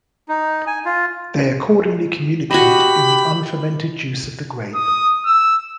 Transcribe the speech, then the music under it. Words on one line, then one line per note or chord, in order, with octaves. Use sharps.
They accordingly communicate in the unfermented juice of the grape.
D#4
G#5
F4
F#4 G4 D#5 B5
D#6
E6